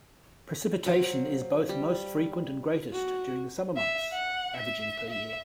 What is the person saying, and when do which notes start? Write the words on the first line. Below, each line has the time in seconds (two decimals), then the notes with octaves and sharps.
Precipitation is both most frequent and greatest during the summer months, averaging per year.
0.86 F#3 C5 F5
1.69 G3
2.92 F#4
3.77 E5
4.12 F#5
4.57 E5
5.10 E5